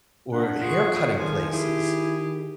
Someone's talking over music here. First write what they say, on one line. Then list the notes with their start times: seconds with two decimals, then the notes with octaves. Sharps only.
or hair cutting places
0.33 D4 F#5
0.62 F4 G#4 C#6
1.17 D#3 F3 G#5
1.51 E4 G4 G#4